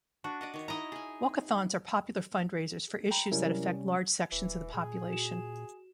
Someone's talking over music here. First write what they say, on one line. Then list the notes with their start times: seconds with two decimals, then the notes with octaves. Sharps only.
Walkathons are popular fundraisers for issues that affect large sections of the population.
0.24 D4 F#4
0.41 D5 D#5 F#5
0.54 D#3 C#5
0.68 D#4 E4 D#5 A#5
0.92 G#4 G#5
3.11 G5 A#5 B5
3.32 C3 F#3 G3 C#4 E4 A#4
4.32 D#1 E3
4.74 A#2 G#4
5.09 F#4 E7